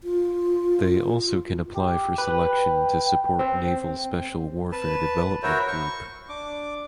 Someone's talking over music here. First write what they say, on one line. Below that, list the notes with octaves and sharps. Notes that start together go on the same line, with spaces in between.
They also can apply for selection to support Naval Special Warfare Development Group.
F4
G4
B4 G5
C4
B4 A5
E4 F#4 A#4 C5 C#5 E5
C#6
D4 D6